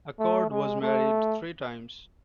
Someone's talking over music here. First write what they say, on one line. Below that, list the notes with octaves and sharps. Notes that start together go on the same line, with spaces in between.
Acord was married three times.
A3
G#3
A3